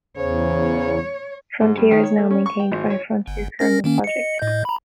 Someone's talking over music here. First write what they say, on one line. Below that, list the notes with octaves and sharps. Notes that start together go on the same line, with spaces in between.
Frontier is now maintained by the Frontier Kernel Project.
E2 C#3 C5 C#5
G#2
G2
D#3
C#5
A3
C#4
C#6
G5
G#1
C#5
G1
C#4 A#4 A#6
D#3 A#3 C#4
D#5 C#7
A2 D#5 G6
A#5 B5